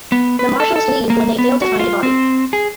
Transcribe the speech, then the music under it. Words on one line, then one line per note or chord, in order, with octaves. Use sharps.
The Marshals leave when they fail to find Bobby.
B3
B4
A4
A4
A#3
B3
F#4
F4
C4
G#4